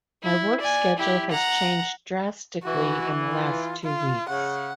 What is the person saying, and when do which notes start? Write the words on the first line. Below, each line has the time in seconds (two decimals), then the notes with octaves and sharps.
My work schedule has changed drastically in the last two weeks.
0.23 E4
0.60 D5 G#5
0.98 E4 G4
1.31 F#5 A#5
2.65 E3 F#4
3.30 F4
3.84 F4
4.29 C#3 F#5